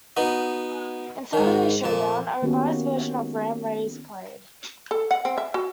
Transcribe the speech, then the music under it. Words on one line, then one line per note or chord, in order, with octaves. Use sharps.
In "Saturday Showdown", a revised version of Ram Ray is played.
B3 D#4 F#4
G#2 D#3
F2 A#2 A5
D#3 A#3 B3 C#4 F#4 G4
A4
F#5
C4
E5
F#4